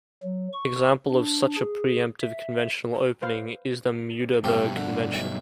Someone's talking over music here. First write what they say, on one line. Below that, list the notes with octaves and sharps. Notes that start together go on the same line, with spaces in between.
Example of such a preemptive conventional opening is the Muiderberg convention.
F#3
C#6
D4
G#4
E5
B4 C5 F5
G2 B2 A3 C4 G4 F5
D3
B1 E5